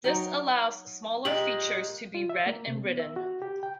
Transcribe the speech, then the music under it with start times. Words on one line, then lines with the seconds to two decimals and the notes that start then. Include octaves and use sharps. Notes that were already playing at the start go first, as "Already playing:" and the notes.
This allows smaller features to be read and written.
0.04 F#3 D#4 G5
1.25 A#2 G#3 G4 D#5 F#7
2.14 F4
2.29 E5
2.46 A#3
2.67 C3
2.86 B3
2.99 E5
3.16 F#4
3.42 G4
3.63 G5